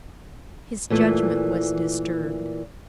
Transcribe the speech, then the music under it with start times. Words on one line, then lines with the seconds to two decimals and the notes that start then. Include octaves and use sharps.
His judgment was disturbed.
0.90 A#2 E3 A3